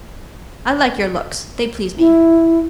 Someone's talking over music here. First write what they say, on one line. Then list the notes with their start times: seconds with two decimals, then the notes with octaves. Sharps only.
I like your looks; they please me.
1.99 E4